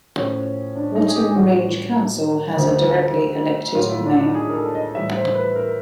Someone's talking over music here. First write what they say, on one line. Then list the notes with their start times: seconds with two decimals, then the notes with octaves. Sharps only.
Wattle Range Council has a directly-elected Mayor.
0.16 A2 F3 C#4
0.76 D4
0.96 D#4
1.08 G#4
1.16 G4
1.35 A2 E3 G3 F#4
2.55 D2 D3 F3
3.75 A2 F#3 F4
3.90 E4
4.06 D4
4.21 D#4
4.35 G#4
4.49 A#4
4.55 A4
4.75 D#5
4.95 A2 E3 G3 E5
5.15 C5
5.35 B4
5.56 A#4